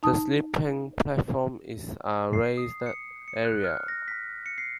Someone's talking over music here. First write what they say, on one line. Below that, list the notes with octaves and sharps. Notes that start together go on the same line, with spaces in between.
The sleeping platform is a raised area.
D#4 A5 D#6
C7
D#6
C#7
C#7
F#6
F6
A#6
B6
C#7
C7